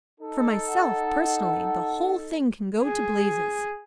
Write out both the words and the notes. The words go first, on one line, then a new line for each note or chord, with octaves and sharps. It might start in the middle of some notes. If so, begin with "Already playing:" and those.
For myself, personally, the whole thing can go to blazes.
D#4 A4
F#5
G#4